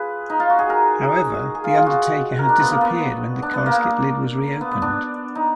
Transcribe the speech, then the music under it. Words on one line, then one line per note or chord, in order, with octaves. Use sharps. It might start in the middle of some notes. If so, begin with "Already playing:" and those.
However, The Undertaker had disappeared when the casket lid was reopened.
Already playing: F4 G#4 B4
D#4
F4
F#4
G#4
A#4
G#4
F4
F4
F#4
A#4
D4
B3
A#3
B3
D4
B3
A#3
B3
B3
D4
D#4